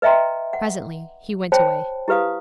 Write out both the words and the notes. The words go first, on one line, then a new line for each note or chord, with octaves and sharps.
Presently he went away.
B4 D#5 E5 G5 A#5 C6
F#5
C5 C#5 G5 A5 B5
E4 G4 B4 F5 D#6